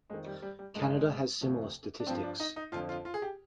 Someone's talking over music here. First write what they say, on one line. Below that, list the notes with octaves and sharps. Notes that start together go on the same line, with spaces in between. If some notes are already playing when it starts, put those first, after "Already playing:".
Canada has similar statistics.
F2 D#3 G#3
G3
G3
G3
G2 D#3 G#3
D2 C3 F3
D4
G2 F3 C4
D4
D#4
D#4
F2 D3 F3 F4
F4
F4
G#4
G4